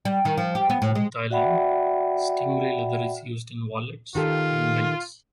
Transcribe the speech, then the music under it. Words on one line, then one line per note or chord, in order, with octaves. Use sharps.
In Thailand, stingray leather is used in wallets and belts.
G3
D#3
F3
G4
B3
A2
G#3
F#4 D5 E5 F#5 G5 B5
D#3 F4 G4 A4